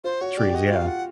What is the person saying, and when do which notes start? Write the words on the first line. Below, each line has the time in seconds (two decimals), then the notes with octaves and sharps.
trees, yeah.
0.04 F4 C5
0.21 F#4 C#5
0.37 G4 D5
0.48 G4
0.54 F#4 D#5
0.71 F4 F5
0.86 F4 F#5